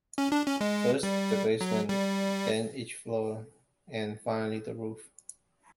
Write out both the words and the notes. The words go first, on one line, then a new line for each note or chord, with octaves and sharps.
First the basement, then each floor, and finally the roof.
C#4
D4
C#4
G#3
G3
F#3
G3